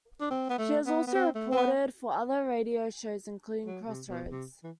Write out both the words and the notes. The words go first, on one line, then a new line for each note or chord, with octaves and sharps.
She has also reported for other radio shows, including "Crossroads".
D4
C4
B3
A3
B3
B3
C4
A3
C4
B3
F#3
C3
B2
C3
E3